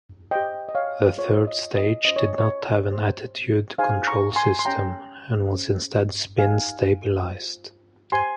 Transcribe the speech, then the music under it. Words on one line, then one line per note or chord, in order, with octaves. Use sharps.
The third stage did not have an attitude control system, and was instead spin-stabilised.
G4 C5 D#5 G5
D#5
C#5 F5
F4 G#4 C5 C#5
D#5
D#5
C#4 F4 C5 D#5
C#5
C#5
G4 C5
D#4 G#4 C5 F5 G#5
A#5 C#6
G#5 C6
C6
C#4 G4 C#5 G5 A#5
C#4 G#4 C5
D#4 G4 A#4 F5 G#5
F4 C5
G4 C5 G#5 C6